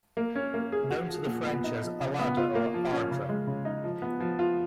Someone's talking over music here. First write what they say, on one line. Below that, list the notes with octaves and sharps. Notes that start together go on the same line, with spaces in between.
Known to the French as "Allada" or "Ardres".
A#3
C#4
A#3
G#4
F#4
F3
A#2
B3
D#4
F3
C#3
B3
F4
A#3
F3
C#4
C#3
G#3
C#3
D#4
F3
B3
F3
F4